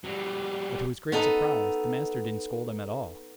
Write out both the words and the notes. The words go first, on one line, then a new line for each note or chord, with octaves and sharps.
But to his great surprise the master didn't scold at all.
F#3 G3
B3 D#4 A4